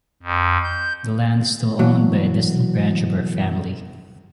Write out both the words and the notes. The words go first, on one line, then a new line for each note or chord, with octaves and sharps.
The land is still owned by a distant branch of her family.
F2
G6
B2 E3 F#3